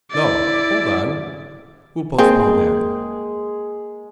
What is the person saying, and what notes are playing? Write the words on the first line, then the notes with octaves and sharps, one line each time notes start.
No! Hold on! We'll postpone that!
E4 D5
G#3 A#3 C4 G#4